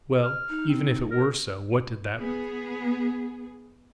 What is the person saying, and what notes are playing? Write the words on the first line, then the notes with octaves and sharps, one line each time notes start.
Well, even if it were so, what did that prove!
F6
D#4
C4
A#4
B3 G#4